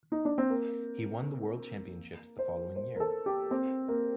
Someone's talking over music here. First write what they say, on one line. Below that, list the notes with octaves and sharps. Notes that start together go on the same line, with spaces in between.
He won the World Championships the following year.
D#4
D4
C4
A#3
C5
C5
A#4
A4
G4
C4
A#3